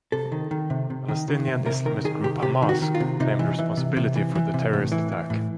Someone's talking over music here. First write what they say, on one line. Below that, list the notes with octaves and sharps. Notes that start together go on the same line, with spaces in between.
Palestinian Islamist group Hamas claimed responsibility for the terrorist attack.
C3 A4
D#3
D#3
C3
C3
D#3
D#3
C3
C3 A#4
D#3 A#4
D#3 G#4
C3 G4
C3 G4
D#3
F#4
D#3
F4
C3
C3 D#4
E3
E3
C3
C3
E3
E3
C3
A2
E3
E3
A2